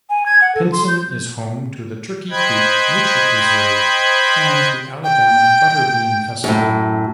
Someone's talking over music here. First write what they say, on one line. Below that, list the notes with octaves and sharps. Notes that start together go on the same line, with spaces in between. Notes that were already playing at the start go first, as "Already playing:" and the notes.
Pinson is home to the Turkey Creek Nature Preserve and the Alabama Butterbean Festival.
G#5
G#6
F#5
A4
C6
G6
C5 D#5 G5 B5 F#6 G#6
G5
F#2 A2